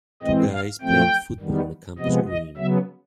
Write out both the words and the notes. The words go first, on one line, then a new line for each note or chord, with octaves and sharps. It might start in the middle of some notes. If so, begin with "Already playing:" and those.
Two guys playing football on a campus green.
A2 E3 G#3 C4 D#5
F5
A#2 F3 A3 C4 G5
D#3 G3 B3
C3 F3 G#3 B3 D#5
D#5
C#3 F#3 B3 E5